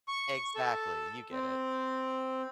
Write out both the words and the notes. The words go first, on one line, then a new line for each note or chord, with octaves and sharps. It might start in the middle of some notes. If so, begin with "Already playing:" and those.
Exactly, you get it.
C#6
A4
C4